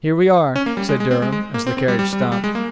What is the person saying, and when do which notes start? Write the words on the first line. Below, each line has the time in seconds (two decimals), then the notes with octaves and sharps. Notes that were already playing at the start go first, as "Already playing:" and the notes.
"Here we are," said Durham, as the carriage stopped.
0.56 C#4
0.66 A#3
0.77 G3
0.89 G#3
1.00 G#3
1.11 C4
1.22 G#3
1.32 G#3
1.54 A#3
1.67 C4
1.77 C4
1.88 G3
1.99 G3
2.13 G3
2.21 G#3
2.32 G3
2.44 G#3
2.55 A#3